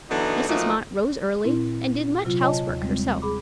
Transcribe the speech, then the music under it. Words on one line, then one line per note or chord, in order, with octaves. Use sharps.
Mrs. Mott rose early, and did much housework herself.
D3 E3 F#3 B3 D#4
A#2 F3 F#3 A3 D4 D#4
A#2 C4 E4
C3 F#3 F4
C#5 D#5 G#5 A5
D#2
G3 G#3 C4
G#4 B5 D6